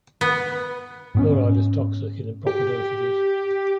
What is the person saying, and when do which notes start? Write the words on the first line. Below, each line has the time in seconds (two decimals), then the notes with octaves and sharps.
Fluoride is toxic in improper dosages.
0.21 B3
1.15 G#2 B3 C#4
2.47 G4